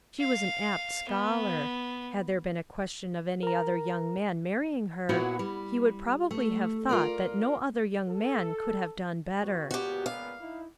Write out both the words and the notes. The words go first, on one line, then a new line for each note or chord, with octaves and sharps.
She was an apt scholar. Had there been a question of any other young man marrying her, he would probably have thought that no other young man could have done better.
F5
B3
A#4 A#5
A#2 B3 E4 F#4 C#5 F#5
G3
A3
F4 A#4 D5
A4
D#3 B3 F#4
C#2 A#2 B3 F#4 G4
F5
D#4 E4